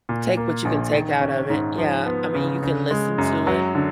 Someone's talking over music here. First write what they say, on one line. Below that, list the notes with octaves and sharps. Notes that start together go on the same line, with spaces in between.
Take what you can take out of it, yeah. I mean, you can listen to it
A#2
A#3
A#1
D#3
C#4
G#2
F3
B3
C#3
C#3
G#3
F#2
F#3
D3